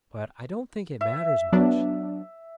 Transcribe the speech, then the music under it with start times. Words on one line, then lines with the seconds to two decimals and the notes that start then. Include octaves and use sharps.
"But I don't think it matters much."
1.01 E5
1.52 F#3 B3 D4